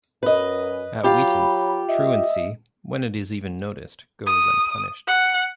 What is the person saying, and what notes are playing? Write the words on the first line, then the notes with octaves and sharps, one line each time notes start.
At Wheaton, truancy, when it is even noticed, goes unpunished.
F#2 B4 D#5
F#3 F4 G4 B5
D#5 E5
D#6
F#5